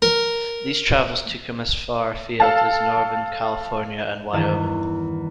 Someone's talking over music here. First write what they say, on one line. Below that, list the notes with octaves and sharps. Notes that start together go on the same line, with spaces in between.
These travels took him as far afield as Northern California and Wyoming.
A#4
A4 F5 A5
E2 G2 D#3